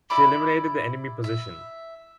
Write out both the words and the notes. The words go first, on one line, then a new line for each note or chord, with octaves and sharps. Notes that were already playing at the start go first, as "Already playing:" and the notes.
She eliminated the enemy position.
E4 D5 B5 D6
E5